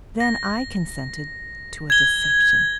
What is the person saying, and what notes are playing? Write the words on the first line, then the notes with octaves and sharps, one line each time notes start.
Then I consented to a deception.
A#6
G#6 G7